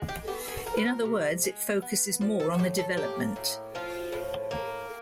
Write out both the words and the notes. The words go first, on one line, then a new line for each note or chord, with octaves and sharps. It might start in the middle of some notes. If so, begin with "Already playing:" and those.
In other words, it focuses more on the development.
Already playing: G#3
G4
B3 G4
G#4
F3 A#4
B4
A#4
C3
G#3
B3
F3 D5
A4
F#4
A2 G4
A4
A#3 G4
A2
F3 F4
A2
A#3